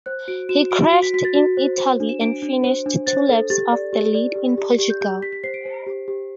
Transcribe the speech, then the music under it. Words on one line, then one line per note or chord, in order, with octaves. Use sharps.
He crashed in Italy, and finished two laps off the lead in Portugal.
C5 F#6
F#4 D7
F#4 E7
F#4 D7
F#4 D7
B6
F#4 B6
A6
F#4
C5
C5
D4
E7
D4 D7
D4
C5
D4
C5 A6
A4
G4 A6
D5
G4
D5
G4
G4
G4
G6
G4 G6
G4 B6
B6
C5 C7
D7
C5
G4
G4